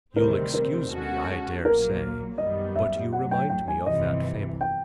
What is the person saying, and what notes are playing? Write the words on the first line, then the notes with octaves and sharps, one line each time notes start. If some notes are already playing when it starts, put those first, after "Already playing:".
You'll excuse me, I dare say, but you remind me of that fable.
D2 C3 D#3 G3 C4 A#4
A#4
B2 G#3 C#4 F#4 A4
A#1 A#2 F#3 A#3 A#4
F#2 D#3 G3 B3 D#5
E5
A1 A2 F#3 F#5
G5
G5
G#5
G1 F2 C3 E3 D#5
G5